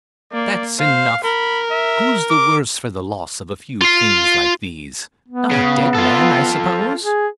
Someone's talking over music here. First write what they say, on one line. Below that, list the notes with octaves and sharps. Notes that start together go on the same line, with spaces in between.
"That's enough. Who's the worse for the loss of a few things like these? Not a dead man, I suppose."
A#3 D5
C5 F5
A#4 B5
E5
D6
F4 F5
B3
C#3
F4 A4
G#4